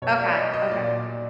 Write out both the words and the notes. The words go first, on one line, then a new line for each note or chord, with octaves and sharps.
Okay, okay.
B2 F#3 C#5
D5
D#5
D#5
A#2 F#3 D5